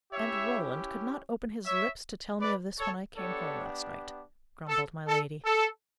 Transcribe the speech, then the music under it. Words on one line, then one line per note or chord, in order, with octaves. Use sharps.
"And Roland could not open his lips to tell me of this when I came home last night!" grumbled my lady.
C#4 E4 G4 C#5 E5
C#5 E5
B4 D5
A4 C#5
B3 D4 G4 A4 C#5
A4
A4
A4